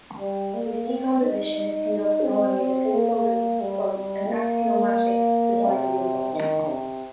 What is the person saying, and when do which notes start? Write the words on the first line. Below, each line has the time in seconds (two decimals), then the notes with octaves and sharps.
This decomposition is conducted only in the physical domain from an axiomatic design viewpoint.
0.20 G3
0.54 A#3
0.88 C4
1.23 D#4
2.24 C4
2.58 C4
2.93 A#3
3.61 G3
4.29 A#3
5.66 C3
6.33 D#3
6.68 C3